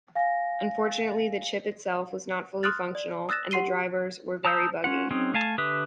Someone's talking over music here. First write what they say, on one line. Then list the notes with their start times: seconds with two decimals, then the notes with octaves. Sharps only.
Unfortunately the chip itself was not fully functional and the drivers were very buggy.
0.15 F5 G#5 A#6
2.63 C6 D#6 F6 F#6 A6
2.95 D5
3.29 D#6 E6 F#6 A6 A#6 E7
3.51 G4 F#5 C6 C7 D#7 G7
4.45 A5 A#5 D#6 E6 G6
4.84 C#4 F4 F#5
5.11 F#3 C4 C#4 D#4 G#4
5.34 A3 F5 G#5 A5
5.58 D3 G4 B4 E5 D#6